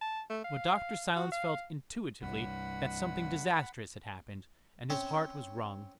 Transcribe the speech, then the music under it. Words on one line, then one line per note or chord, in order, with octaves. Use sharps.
But Dr. Silence felt intuitively that something disastrous had happened, and his heart was wrung.
A5
A3
F5
F#4
F5
C2 G2 F#5 B5
C4 C#4